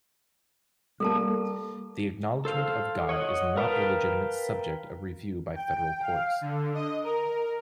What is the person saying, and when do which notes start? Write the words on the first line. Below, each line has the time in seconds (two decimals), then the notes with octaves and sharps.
The acknowledgment of God is not a legitimate subject of review by federal courts.
1.00 G3 A#3 A4 A#4 A5
2.45 A4 C5 F5
3.09 C#5 D#5 F#5
3.57 A#4 B4 F5 G5 A5
5.55 G5
6.01 F5
6.41 D3
6.75 D#5
7.04 A#4